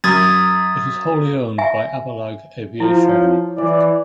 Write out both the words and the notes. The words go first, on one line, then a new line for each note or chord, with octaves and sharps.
It is wholly owned by Abelag Aviation Group.
F#2 D#6 G#6 A6
E5 G#5
F3 E4
C#5
E3 D5